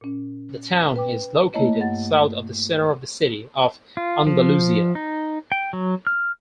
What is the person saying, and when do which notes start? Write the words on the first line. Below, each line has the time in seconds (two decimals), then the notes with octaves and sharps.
The town is located south of the center of the city of Andalusia.
0.01 A#2 C#4
0.96 B4 G5 D6
1.54 A3 A#3 E4 C#5 D#5
1.80 G2 F#5 A6
3.97 F4
4.27 F3
4.95 D#4
5.52 G5
5.73 F#3
6.07 F6